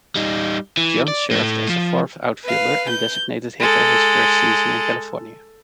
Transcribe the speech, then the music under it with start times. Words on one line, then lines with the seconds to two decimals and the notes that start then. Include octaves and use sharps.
Jones served as a fourth outfielder and designated hitter his first season in California.
0.16 G3 D#4
0.77 E3
1.08 D5
1.31 A2 A3
1.69 F3
2.44 B4 F5
2.90 G6
3.60 G#3 A4